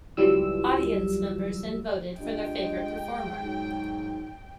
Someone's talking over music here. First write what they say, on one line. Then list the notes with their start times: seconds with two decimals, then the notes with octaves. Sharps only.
Audience members then voted for their favorite performer.
0.17 C#2 E3 F#3 G3 F4 E6
2.19 G2 G#3 F4 D#5 G5
3.41 G#2 F#3